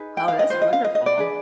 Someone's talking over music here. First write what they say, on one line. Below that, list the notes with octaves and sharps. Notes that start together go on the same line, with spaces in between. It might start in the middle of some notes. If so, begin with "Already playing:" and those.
Oh, that's wonderful.
Already playing: D#4 G#4 B4
G5
F5
D#5
F4 B4 C5
D#5
F5
D#5
D#5
D5
D4 G#4 B4